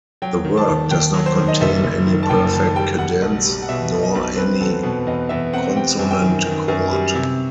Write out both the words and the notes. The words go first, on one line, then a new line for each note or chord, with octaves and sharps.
The work does not contain any perfect cadence, nor any consonant chord.
F#3 G5
D#3
A5
D#2
D#2 G5
F#3
C5
D#3
D#5
F#1 E5
F#1
D#3
A5
F#1 G5
D#3 A5
G3 G5
G3 F#5
B1
G3
F#5
B2 E5
B2
D#5
B1
C4 B4
E2 A4
B2 B4
E2 D#5
E2 E5
C4 F#5
G3 G5
F#2
G5
D#3
D#3
F#2
G3
C3